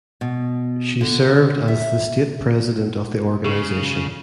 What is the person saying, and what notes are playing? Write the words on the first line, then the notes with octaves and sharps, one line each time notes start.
She served as the state president of the organization.
B2
D3
E5
C#3 G#4 C#6